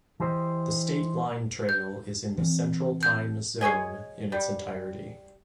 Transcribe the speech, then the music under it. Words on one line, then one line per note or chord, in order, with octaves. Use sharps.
The State Line Trail is in the Central Time Zone in its entirety.
E3 G4 C5 D#5
G6
E3 C4
G6
G#4 C#5 D#5 G#5
G3